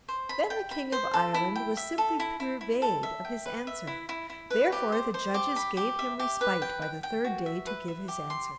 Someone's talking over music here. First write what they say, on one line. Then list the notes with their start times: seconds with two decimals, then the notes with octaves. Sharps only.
Then the King of Ireland was simply purveyed of his answer; therefore the judges gave him respite by the third day to give his answer.
0.09 C5
0.29 B5
0.50 G5
0.71 B5
0.92 C5
1.14 A4
1.34 E4
1.56 G5
1.77 E5
1.98 A4
2.20 E4
2.40 E4
2.61 E4
2.82 A4
3.03 E5
3.25 G5
3.46 B4
3.67 E5
3.87 E4
4.09 E4
4.30 E4
4.50 B4
4.72 G4
4.92 C5
5.14 C5
5.34 G4
5.56 B5
5.77 G4
5.99 E5
6.19 G4
6.41 B4
6.62 G5
6.82 G5
7.03 G5
7.25 F#4
7.46 E5
7.66 B4
7.88 E5
8.08 G4
8.30 C6